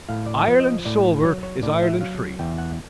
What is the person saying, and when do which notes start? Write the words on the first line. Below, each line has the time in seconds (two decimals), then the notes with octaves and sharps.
Ireland sober is Ireland free.
0.09 A2 F5
0.26 D5
0.35 D#5
0.47 F3
0.60 D#5
0.85 A2 D5
1.24 F#3 C#5
1.43 C#5
1.63 A2 D5
1.82 E5
2.01 F#3 F5
2.39 E2 G5
2.58 F#5